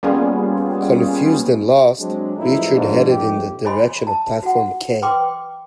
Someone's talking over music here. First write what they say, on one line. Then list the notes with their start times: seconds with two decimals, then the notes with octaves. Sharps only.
Confused and lost, Richard headed in the direction of platform K.
0.03 G3 A#3 B3 C#4 F4 G#4
1.99 F#3 G#3 C4 D4
2.36 A1 A#2 F3 G#3 D#4 E4
2.74 G#1 G#2 F3 D4
3.08 A#1 F2 G#2 A3 G4
3.65 C#5 D#5 G#5 B5 C6
4.07 A5
4.43 F#4 F#5
5.02 B4 G5 C6 D6